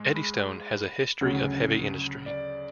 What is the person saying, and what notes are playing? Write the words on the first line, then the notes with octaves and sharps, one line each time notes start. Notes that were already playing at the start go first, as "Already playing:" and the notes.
Eddystone has a history of heavy industry.
Already playing: G#2 G#3
B5
D2 C#3 F#3 C#4 F#5
D5